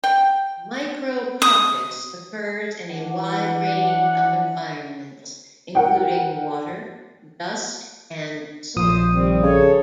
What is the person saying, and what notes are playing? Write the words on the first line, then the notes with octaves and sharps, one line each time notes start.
"Micrococcus" occurs in a wide range of environments, including water, dust, and soil.
G5
D#6
E3 D4 F#5
A#4 F#5 G5
A#1 F3 C5 D#6
D#3 G3 C4
C#3 A4 C#5